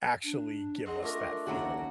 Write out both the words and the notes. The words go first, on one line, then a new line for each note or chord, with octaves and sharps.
actually give us that feeling.
D4
C4 G#4 D#5 F#5
A3 D4 F4 A#4 D#5
D#2 C#3 F#4 F#5 A#5